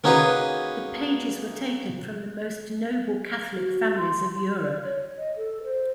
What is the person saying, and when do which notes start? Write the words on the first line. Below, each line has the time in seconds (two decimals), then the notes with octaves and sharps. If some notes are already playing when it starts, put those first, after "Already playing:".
The pages were taken from the most noble Catholic families of Europe.
0.04 A#3 C#4 D#4 F#4 G#4 B4
3.56 F#4
3.97 C6
4.62 D5
4.84 C#5
5.18 D#5
5.37 A4
5.64 C5